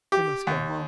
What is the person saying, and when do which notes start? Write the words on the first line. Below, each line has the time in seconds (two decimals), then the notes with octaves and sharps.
We must go home.
0.12 G4
0.47 D#2